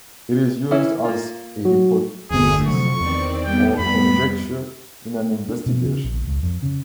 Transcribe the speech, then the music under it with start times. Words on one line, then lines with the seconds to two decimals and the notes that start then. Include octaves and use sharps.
It is used as a hypothesis or conjecture in an investigation.
0.71 E3 C#4 E4
1.04 A#3 F4
1.65 F#3 F#4
2.31 G1 E2 D3 A3 G#4
2.67 F2 C3 F#3 C#6
3.01 E2 D#3 C4 D5
3.44 G3 B3 G5
3.79 F2 B5
5.49 D4
5.66 B2
5.86 C#3
6.04 A#1
6.28 C#2
6.43 F2
6.63 C#3